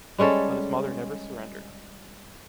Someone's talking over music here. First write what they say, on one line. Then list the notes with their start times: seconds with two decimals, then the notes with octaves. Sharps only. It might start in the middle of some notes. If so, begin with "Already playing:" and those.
But his mother never surrendered.
0.19 G3 G#3 C#4 A4